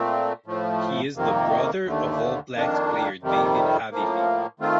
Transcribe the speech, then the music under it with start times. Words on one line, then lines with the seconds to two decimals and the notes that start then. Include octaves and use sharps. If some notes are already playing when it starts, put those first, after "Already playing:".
He is the brother of All Blacks player David Havili.
Already playing: A#2 A3 C4
0.46 A2 F3 A3
1.15 F2 C3 D#3 A#3
1.84 D#2 D3 A3
2.53 F2 D#3 A#3 D4
3.22 F2 C3 D#3 G3
3.91 A2 F3 A#3
4.60 D#3 A3 C4 F4